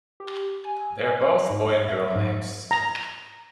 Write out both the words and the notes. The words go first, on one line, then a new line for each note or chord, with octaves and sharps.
They are both boy and girl names.
G4
G#5
G#2
E5
G#2
A#5